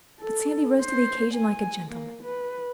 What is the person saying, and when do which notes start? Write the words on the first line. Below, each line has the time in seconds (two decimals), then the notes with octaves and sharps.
But Sandy rose to the occasion like a gentleman.
0.20 A4
0.81 C5
1.34 G#5
1.90 A#3
2.23 B4